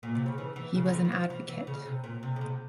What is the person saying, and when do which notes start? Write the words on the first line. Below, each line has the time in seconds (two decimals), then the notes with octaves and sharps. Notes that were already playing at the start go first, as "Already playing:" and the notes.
He was an advocate.
0.03 A#2
0.15 C3
0.26 C#3
0.38 E3
0.56 E3
0.75 C#3
0.86 F3
0.93 E3
1.05 E3
1.12 F3
1.30 E3
1.48 E3
1.67 C#3
1.86 C3
2.04 A#2
2.23 C3
2.36 C#3
2.41 C3